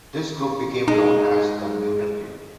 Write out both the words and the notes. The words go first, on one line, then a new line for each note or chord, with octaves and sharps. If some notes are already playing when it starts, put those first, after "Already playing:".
This group became known as the Muiderkring.
G#3 D#4